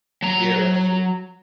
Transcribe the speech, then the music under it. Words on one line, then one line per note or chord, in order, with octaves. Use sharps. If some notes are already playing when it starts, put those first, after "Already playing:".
Yeah, that's true.
F#3 A#5